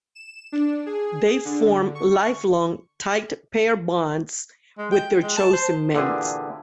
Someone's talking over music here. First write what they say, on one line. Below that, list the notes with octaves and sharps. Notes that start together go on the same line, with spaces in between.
They form lifelong, tight pair bonds with their chosen mates.
E7
D4
G#4
D3
C#6
G#3
G5
G#3
A5
C5
A#2 D3 E3 G4 G#4